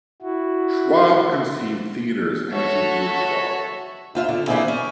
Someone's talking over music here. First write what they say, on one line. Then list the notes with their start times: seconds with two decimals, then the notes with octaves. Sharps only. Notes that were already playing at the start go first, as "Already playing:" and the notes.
Schwab conceived theater as anti-bourgeois.
0.22 E4 F#4
2.52 F#4 A4 C#5 E5
4.15 D#2 F4 E5
4.28 D3
4.47 E3 G3 A#3 C4 E4 G#4
4.68 C#4